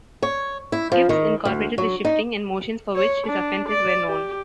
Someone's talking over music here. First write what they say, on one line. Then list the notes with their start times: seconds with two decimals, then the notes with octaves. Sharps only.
Gibbs incorporated the shifting and motions for which his offenses were known.
0.23 C#5
0.72 E4
0.92 F3
1.09 D#3
1.45 D2
1.78 F#3
2.05 D#4
2.96 C#5
3.27 D4
3.69 D5
4.08 G4